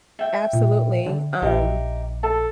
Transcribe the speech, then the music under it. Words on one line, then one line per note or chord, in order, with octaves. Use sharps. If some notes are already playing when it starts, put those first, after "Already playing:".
Absolutely. Um,
E5 G5
A#2
D3
A#1 D#4 G4 E5
A4 A5